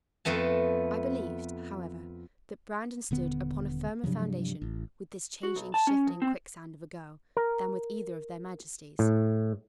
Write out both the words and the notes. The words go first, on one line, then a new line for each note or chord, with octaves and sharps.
I believed, however, that Brandon stood upon a firmer foundation with this changing, shifting, quicksand of a girl than with either of their majesties.
F2 A3 B3 A5
D#1 D3 B3
G2 C3 F3 F#3
A1
F#4
B1
A5
C#4
F3
C4
A#4
A2